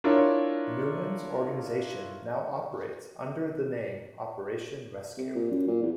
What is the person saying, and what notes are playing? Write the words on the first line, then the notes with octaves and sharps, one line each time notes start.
Newman's organization now operates under the name Operation Rescue.
D4 E4 F4 A#4 C#5
C3
A#2
F#2
A#2
E2